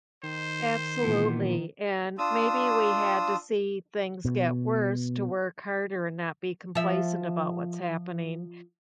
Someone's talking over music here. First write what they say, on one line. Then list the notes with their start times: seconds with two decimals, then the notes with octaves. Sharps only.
Absolutely, and maybe we had to see things get worse to work harder and not be complacent about what's happening
0.23 D#3 C5
1.03 A#2 E3 B3
2.18 D4 F4 D#6 E6
4.25 B2
6.75 F3 E5